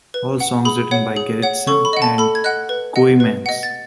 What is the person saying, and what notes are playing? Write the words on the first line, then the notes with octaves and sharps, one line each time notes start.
All songs written by Gerritsen and Kooymans.
B4
F#5
G#4 B5
C#5 F#5
G#4
C#5 F#5
A4 C#6
B5
D#5 F#5
A5
A4 B5
G#6
D#5 F#5 F#6
B4
D#5 F#5
B4
D#5 F#5
A6